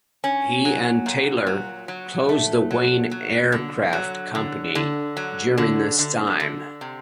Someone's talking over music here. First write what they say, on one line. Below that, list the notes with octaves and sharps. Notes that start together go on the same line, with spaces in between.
He and Taylor closed the Wayne Aircraft Company during this time.
C#4
F#3
A#2
F#3
F#3
A3
F#3
F#3
D3
F#3
D3
D3
F#3
D3
D3
D3
C3